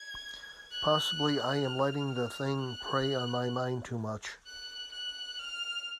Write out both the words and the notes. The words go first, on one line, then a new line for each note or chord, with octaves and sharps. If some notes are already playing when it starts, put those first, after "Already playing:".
Possibly I am letting the thing prey on my mind too much.
Already playing: G#6
F#6
F6
F#6
F#6
F#6
F6